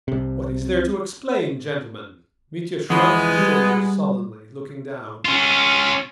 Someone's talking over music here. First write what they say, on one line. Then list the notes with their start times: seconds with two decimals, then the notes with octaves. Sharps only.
"What is there to explain, gentlemen?" Mitya shrugged his shoulders sullenly, looking down.
0.08 C2 C3
2.90 E2 E3 F3 G#3 B3
3.38 G3
5.25 C#4 F4